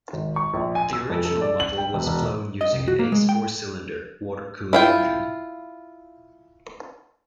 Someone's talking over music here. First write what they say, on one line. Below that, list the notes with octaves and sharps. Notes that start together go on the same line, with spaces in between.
The original model was flown using an Ace four cylinder water-cooled engine.
G#1
C#6
A#1
G#5
E6
F2
A4
D5
F#7
G5
E1
E1
D#5
C2
F#4
A#3
G#3
G5
E4 F4 G5